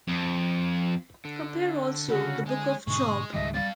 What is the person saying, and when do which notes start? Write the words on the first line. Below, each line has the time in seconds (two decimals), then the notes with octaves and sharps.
Compare also the Book of Job.
0.08 F2
1.25 D3
2.08 C#3 F#4
2.46 G#3 G#5
2.87 G#2 B2 D3 G#3 G#4 C#6
3.33 C#2 G#2 D#3 G3 G#3 D#5 E5
3.54 G3 C4 F5 A6